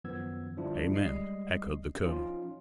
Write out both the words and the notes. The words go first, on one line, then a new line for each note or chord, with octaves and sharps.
"Amen!" echoed the colonel.
F#2 D#3 F3 B3 E6 G#6
D3 F3 G3 D4 E4 F4
G3 G#3 D#5 C7
F3 C#4 D#4 F4